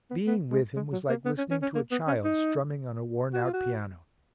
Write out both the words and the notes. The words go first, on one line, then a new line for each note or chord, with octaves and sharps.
Being with him was like listening to a child strumming on a worn-out piano.
B3
B3
G#3
G#3
F#3
A#3
B3
C#4
C#4
C#4
A#3
B3
C#4
D#4
F#4
F4
F#4